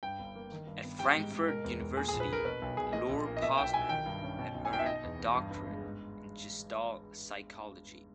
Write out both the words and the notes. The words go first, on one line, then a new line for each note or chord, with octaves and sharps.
At Frankfurt University Lore Posner had earned a doctorate in Gestalt Psychology.
G2 G5
G1
A#3
D#3
G2
B3
G3 G5
G#2
G#2
B2 A#4
E2
E2
A#2 G#4
G#4
A#1
B4
A#1 A#4
B2 B4
B1
B1 G#4
A#2 D#5
A#1
A#3
D#5
B2 E5
B1 G5
B1 G#5
D#3 G5
G2
C#4
B2
B1
G#5
D#4 G5
E5
B2 D#5
E2
E2
G2
G1
G#3
G#2